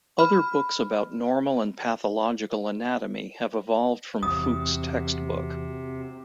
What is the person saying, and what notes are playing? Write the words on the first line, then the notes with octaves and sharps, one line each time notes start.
Other books about normal and pathological anatomy have evolved from Fuchs' textbook.
B5 F6
E2 C3 C4 F#4 D#6